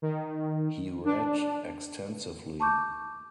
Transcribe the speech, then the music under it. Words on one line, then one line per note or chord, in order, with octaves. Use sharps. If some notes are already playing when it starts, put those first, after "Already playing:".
He read extensively.
D#3
D4
A5 C#6 D6 G6